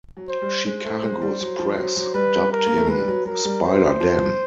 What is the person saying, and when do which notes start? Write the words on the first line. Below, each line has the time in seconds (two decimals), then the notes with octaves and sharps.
Chicago's press dubbed him "SpiderDan".
0.17 F#3
0.28 C5
0.42 G3
0.66 G#3 C5
0.85 A3
1.02 G#3
1.22 G3
1.41 F#3
1.59 F3
1.77 F#3
1.96 F#3
2.14 G3 B4
2.52 A#4
2.66 A#3
2.77 A3
2.87 G#3 B4
2.98 G3
3.08 F#3
3.25 F#3 A#4
3.45 G3
3.62 F#3 C5
4.00 F3